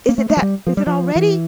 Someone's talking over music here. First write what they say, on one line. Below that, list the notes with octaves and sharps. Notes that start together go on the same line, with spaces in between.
Is it that is it already?
A#3
A3
A3
F3
G3
F3
G3
F3
E3